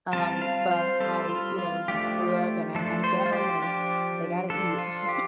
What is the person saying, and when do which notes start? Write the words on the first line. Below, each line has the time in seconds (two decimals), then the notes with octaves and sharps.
Um, but I, you know, grew up and I had a family and they gotta eat, so,
0.13 G3 C4 F4 A5
0.42 F5
0.71 C5
1.00 G3 C4 F4 A4
1.29 F4
1.59 F4
1.88 F3 A3 D4 F4 G4
2.75 F3 A3 D4 F4 A4
3.04 C5
3.26 F4
3.33 G4
3.62 F3 D4 F4 G4
4.50 F3 D4 F4 A4
4.78 F4
5.09 G4